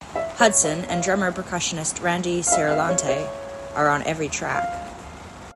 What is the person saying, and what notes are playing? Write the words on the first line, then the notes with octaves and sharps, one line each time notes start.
Hudson and drummer-percussionist Randy Ciarlante are on every track.
E5
C#5
E5
F5
F5
E5
F5
E5
C#5
C#5
F5